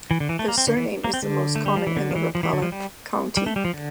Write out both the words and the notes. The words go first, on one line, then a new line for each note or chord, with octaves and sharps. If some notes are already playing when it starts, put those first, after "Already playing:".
The surname is the most common in Rapla County.
E3
D3
E3
A3
A#3
C4
D3
E3
A#3
C4
D3
A3
G3
F3
E3
D3
F3
E3
F3
E3
D3
F3
G3
G3
A3
G3
F3
D3